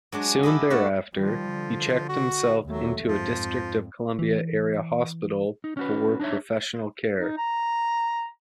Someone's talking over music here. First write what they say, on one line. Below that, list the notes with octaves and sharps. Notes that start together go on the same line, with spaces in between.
Soon thereafter, he checked himself into a District of Columbia-area hospital for professional care.
F#3 G#3 D4
D4 E4 G4 D#5
A3 F#4
D#3 F3 G3
D3
F#4
D#2 F#3 A3
F2 G#2 F3
E3
D#4
C#4 F#4 B4
D4 D#4 C5 C#5 E5
D#4
A#5